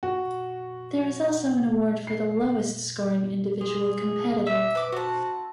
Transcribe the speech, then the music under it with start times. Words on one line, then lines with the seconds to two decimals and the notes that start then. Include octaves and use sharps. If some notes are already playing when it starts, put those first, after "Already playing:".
There is also an award for the lowest scoring individual competitor.
0.03 F#4
2.07 C7
3.61 G#4 C6
4.47 E5 D6
4.75 B4 D6
4.92 C4 F#4 A5